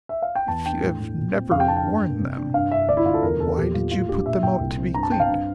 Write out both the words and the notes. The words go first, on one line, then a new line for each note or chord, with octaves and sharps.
"If you have never worn them, why did you put them out to be cleaned?"
E5
F5
G5
E2 A5
D4 G5
A2
A2
A#2
C4
F2 F5
G5
D4 A5
G5
G2
A#3
C3
D4
G2 F5
G2 E5
D2 D5
E4
D2 F4
A4
E2 A#4
E2 A4
A#2 G4
A#2 F4
A2 F4
D4 G4
A#2 E5
A#2 G5
C2
C4
G2 A#5
A5
C4 G5
F5
G2